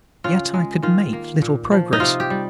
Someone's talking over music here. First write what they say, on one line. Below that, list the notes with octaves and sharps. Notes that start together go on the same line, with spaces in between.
Yet I could make little progress.
C#3 F4
G#3
D#3 F4
A#3
A#2
F3
D#4
C3 F4
G4
G3